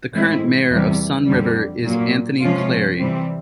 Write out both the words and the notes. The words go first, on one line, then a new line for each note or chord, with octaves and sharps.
The current Mayor of Sun River is Anthony Clary.
A2 E3 G#3 C4 E4
E2 C3 E3 G3
F2 D3 G3
A#2 F#3 A#3
C3 F3 G#3 C#4 F4
C3 E3 G3 C4